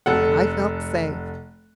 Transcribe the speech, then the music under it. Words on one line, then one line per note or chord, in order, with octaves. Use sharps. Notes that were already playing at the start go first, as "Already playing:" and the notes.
But I felt safe.
F1 A4 F#5